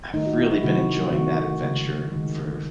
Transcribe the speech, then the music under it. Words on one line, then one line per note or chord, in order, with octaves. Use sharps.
I've really been enjoying that adventure for
D#3 A3 D#4
F#4
E4
E4
C3 D#3 F#3 A3 F#4
D#3 A3 F#4
C#3 G#3
D#3 G#3